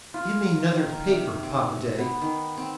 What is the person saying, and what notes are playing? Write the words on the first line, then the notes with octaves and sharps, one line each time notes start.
"Give me 'nother paper, Papa-day."
F4
D#3
A#4
C3
C4
B3
D#3
C4